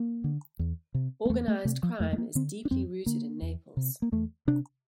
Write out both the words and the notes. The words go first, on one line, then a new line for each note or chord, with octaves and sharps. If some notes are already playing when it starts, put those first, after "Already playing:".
Organised crime is deeply rooted in Naples.
Already playing: A#3
D3
E2
C3
A#3
E2 A3
A3
C3 A3
F3
F2 A3
A3
A#3
D3 C4
D4
F2 C4
D3 A#3
E2
C3
A#3
E2 A3
C3 D4